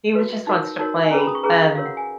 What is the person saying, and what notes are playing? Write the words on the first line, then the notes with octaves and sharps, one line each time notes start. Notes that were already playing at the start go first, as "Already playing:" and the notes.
He was just wants to play. Um,
F#4 B4
D#4 F#4 A#4 C#5
D#4 F#4 A#4 C#5
G#5
C#4 G#4 B4 A#5
B5
D#6
C#6
C#4 G#4 B4 A#5
F5
F5
F#4 A#4 C#5 F5
F#5
G#5